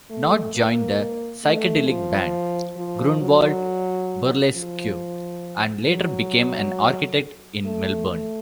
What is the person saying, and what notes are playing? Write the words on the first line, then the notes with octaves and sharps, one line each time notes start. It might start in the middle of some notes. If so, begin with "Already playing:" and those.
Nott joined the psychedelic band, Grunewald Burlesque, and later became an architect in Melbourne.
A3
A#3
A3
F3
F3
F#3
F3
F#3
A3
A3